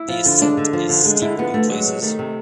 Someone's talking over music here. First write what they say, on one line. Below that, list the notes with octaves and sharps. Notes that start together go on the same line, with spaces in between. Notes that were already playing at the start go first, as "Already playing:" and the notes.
The ascent is steep in places.
Already playing: E4
F3
D3
G#3 D4
D3
F3
D3
G#3
D3 E4
F3 B3
D3 A3
F#3 G#3
C3
D#3 A3
C3